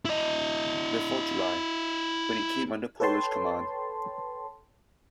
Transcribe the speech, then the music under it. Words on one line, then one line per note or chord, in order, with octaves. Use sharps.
Before July, when it came under Polish command.
E4 D#5
A4 B4 C#5 G5 A5 C6